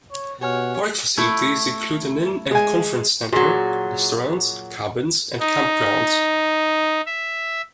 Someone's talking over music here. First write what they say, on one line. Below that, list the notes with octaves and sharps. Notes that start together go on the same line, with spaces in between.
Park facilities include an inn and conference center, restaurant, cabins, and campgrounds.
C#5
B2 G4 C#5 F#5 G#5 F6
A3 E4
G#3 G#5
A#2 F#3 F#4 G#4
D#4
E5